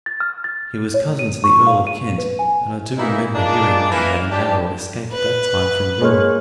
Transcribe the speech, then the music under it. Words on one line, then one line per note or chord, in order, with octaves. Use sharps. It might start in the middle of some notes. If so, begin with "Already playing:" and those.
He was cousin to the Earl of Kent, and I do remember hearing that he had a narrow escape at that time from ruin.
A6
F6
A6
C#5
D#7
C#6
F5
D#7
B4
G#5
E3 A#3 D#4 E4
A#2 G#3 A#3 D4
E3 A#3
D4 G4
B4
G#3 A#3 C#5 F6